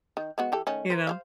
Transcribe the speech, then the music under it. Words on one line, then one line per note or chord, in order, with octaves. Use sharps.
You know?
D#3
G#3 B3 F#4
E3 G4 A4
D#3 A3 C#4
A#4 C5
C5 C#5 F5